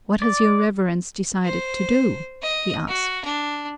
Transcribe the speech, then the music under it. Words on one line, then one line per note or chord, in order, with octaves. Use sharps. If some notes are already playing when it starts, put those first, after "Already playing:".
"What has your Reverence decided to do?" he asked.
D5
C5
D#5
F#4
D4